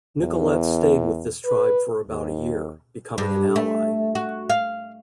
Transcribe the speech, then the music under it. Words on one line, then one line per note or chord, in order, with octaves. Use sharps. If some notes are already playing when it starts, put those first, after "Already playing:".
Nicolet stayed with this tribe for about a year, becoming an ally.
E2
B4
D#2
G2
A3
F#4
F5